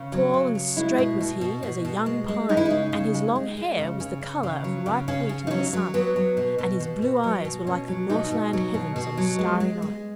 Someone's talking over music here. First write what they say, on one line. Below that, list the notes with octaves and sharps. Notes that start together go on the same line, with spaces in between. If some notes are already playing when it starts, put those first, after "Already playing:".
Tall and straight was he as a young pine, and his long hair was the colour of ripe wheat in the sun; and his blue eyes were like the northland heavens on a starry night.
Already playing: C#3
F#3
C#3
F#3
G#3 E4
B2
B2
B2
B2
B2
G#3
G#3
G#3 D#4
E4
C#3 D#4
C#3
G#3
G#3
G#3
C#3
C#3
C#3
C#3
F#3
C#3
C#3 C#4
C#3
D#4
F#3 C#4
F#3
F#3 B3
F#3
B2
B2
B2
B2
F#3
B2
B2 C#4
F#3
B2 D#4
B2
F#3
B2
B2
F#3
G#3
G#3
G#3